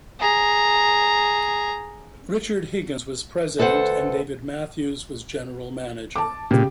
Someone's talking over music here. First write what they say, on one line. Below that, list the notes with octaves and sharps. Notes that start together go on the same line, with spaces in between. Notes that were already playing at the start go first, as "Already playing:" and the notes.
Richard Higgins was president and David Matthews was general manager.
G#4 A#5
D2 A4 B4 C5 F#5
A5 D6
A#2 C#3 G4